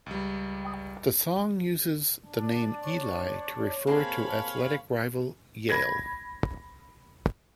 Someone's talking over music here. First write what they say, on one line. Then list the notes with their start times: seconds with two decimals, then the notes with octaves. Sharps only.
The song uses the name "Eli" to refer to athletic rival Yale.
0.06 C#2 G3
2.25 D4
2.81 C#5 C#6
3.87 A#3 C4 G#4 C#5 F5 A5 B5
5.69 B5 G#6 A#6